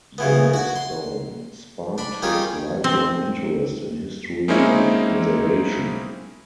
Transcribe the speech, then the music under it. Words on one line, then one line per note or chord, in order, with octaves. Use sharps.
Yellowstone sparked his lifelong interest in history and conservation.
C#3 E3 B3
F#4 F#5
C6
D4 B5
D#3 G3 F4 G#4 C#5
C4
G#3 A#3 C4 C#4 D#4 E4